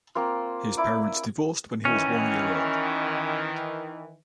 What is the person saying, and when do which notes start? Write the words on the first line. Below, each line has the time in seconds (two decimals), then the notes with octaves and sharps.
His parents divorced when he was one year old.
0.15 A#3 C4 F4
0.77 E4 D5 D6
1.85 D#3 E3 C#4